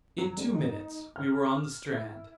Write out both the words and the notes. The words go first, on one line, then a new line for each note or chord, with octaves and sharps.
In two minutes we were on the strand.
F#3
F1
D#4
F6
E4